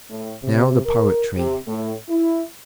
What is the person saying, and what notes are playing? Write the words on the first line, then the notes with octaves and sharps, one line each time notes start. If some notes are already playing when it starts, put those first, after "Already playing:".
"Now the poetry."
A2
C3
A#4
C3
A2
E4